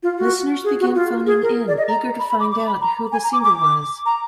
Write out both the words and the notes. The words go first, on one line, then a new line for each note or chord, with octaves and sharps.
Listeners began phoning in, eager to find out who the singer was.
F4
F#4
G#4
F#4
F4
G#4
A#4
D5
D#5
A#5
B5
B5
D6
D6
B5
A#5
G#5
A#5
D6
D6
D6
A#5